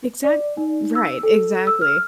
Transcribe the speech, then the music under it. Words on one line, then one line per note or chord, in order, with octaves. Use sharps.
Exact right, exactly.
D5
D#4
E6
A4
E6
F6